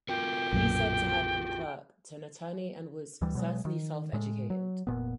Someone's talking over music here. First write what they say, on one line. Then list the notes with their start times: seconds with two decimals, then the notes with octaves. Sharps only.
He is said to have been clerk to an attorney, and was certainly self-educated.
0.09 F4 F#4 A#4 G5
0.52 B1 F#2 A#2
3.21 D2 E3 G3
3.35 B2 F#3 G#3
3.65 D#3
4.13 A2 G#3
4.50 F#3
4.87 F1 A#2 B3